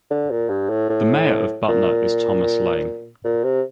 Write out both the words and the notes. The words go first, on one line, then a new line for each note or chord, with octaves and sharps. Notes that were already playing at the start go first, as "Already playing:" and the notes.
The mayor of Butner is Thomas Lane.
D3
A#2
G2
A2
A2
A#2
A#2
C3